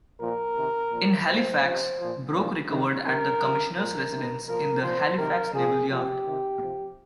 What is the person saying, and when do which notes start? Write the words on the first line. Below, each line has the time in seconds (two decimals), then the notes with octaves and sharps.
In Halifax, Broke recovered at the Commissioner's residence in the Halifax Naval Yard.
0.20 A#2 F3 A#4
0.56 C3 D#3
0.92 A#2 F3
1.26 A#2 F3 C5
1.62 F3
1.67 C3
1.99 A#2 F3
2.34 A#2 F3
2.70 C3 D#3
3.05 C3 D#3 A#4
3.40 C3 F3
3.76 A#2 F3 A#4
4.11 C3 D#3
4.47 A#2 F3 A#4
4.83 A#2 F3 C5
5.18 C3 D#3 A#4
5.54 A#2 F3 G#4
5.90 A#2 F3 G4
6.26 C3 D#3
6.62 C3 F3